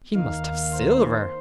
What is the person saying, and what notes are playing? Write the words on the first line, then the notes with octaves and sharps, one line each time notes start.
He must have silver.
D#2 D#3 A#3 D#4 F5
C5